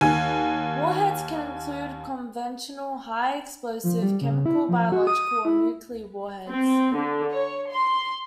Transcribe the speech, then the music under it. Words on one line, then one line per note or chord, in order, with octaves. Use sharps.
Warheads can include conventional high explosive, chemical, biological, or nuclear warheads.
D#2 G#5
F3
G3
C#3
E4
F3
F#4
D#6
E4
C4
D3
C#5
C6